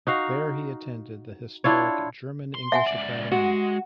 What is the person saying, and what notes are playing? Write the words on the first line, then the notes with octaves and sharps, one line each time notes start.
There he attended the historic German-English Academy.
D#4 F#4 F5
D4 E4 F4 C#5
C6
E5 F#5 G#5
C#2 D5
G#3 F#4